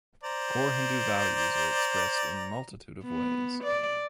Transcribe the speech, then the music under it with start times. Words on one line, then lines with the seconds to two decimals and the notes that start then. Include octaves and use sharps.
Core Hindu values are expressed in multitude of ways.
0.23 C5 D5 A#5
3.04 B3
3.64 D5